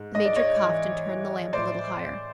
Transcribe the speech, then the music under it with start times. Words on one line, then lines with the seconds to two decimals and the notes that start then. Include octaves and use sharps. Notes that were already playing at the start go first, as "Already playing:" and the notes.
The Major coughed and turned the lamp a little higher.
Already playing: G#2
0.15 G#2 D#5
0.26 D5
0.36 C#5 D#5
0.61 E3
1.07 E3
1.53 A2 C5 D5